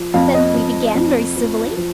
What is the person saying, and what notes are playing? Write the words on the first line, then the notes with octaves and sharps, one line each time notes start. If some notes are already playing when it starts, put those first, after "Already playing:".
Then we began--very civilly.
Already playing: F3
F2 F5
D#5
F2
F2
F3
F3